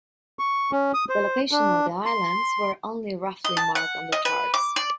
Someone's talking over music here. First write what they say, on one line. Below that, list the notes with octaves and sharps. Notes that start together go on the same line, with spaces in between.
The location of the islands were only roughly marked on charts.
C#6
C#4
D#6
C5
D4
C6
D#5
A5
F#5
D#5
B4
D6
D5